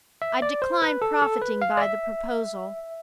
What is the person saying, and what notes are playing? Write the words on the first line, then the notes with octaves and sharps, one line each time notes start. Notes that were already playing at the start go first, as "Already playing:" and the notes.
I decline profiting by the proposal.
E5
D5
C5
B4
A4
A4
B4
F5
D5
E5